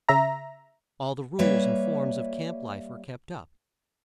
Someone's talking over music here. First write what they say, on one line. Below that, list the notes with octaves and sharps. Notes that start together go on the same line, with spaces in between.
All the rules and forms of camp-life were kept up.
C#3 E5 A#5
G3 A#3 B4 C#5 E5